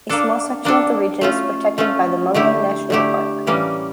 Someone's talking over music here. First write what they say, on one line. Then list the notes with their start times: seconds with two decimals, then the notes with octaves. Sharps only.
A small section of the region is protected by the Mungo National Park.
0.09 A#3 D4 A4
0.65 A#3 D4 A4
1.21 A3 C#4 F4
1.78 A3 C#4 F4
2.34 D3 A3 E4 G4
2.90 D3 A3 E4 G4
3.47 A2 E3 G3 A#3 C#4